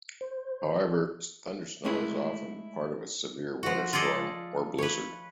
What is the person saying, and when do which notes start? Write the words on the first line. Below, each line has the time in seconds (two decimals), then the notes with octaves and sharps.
However, thundersnow is often a part of a severe winter storm or blizzard.
0.21 C5
1.84 G#3 A3 C#4 E4 G#4
3.63 F3 F#4
3.93 F4 G#4 A4 D5 D#5
4.78 B4 C#5